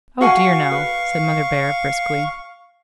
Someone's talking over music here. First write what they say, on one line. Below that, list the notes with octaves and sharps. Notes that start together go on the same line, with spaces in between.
"Oh dear, no," said Mother Bhaer, briskly.
F#4 F5 F#5 G#5 C#6
B4